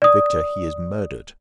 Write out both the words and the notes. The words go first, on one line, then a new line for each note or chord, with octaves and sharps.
Victor, he is murdered!
D5 D#6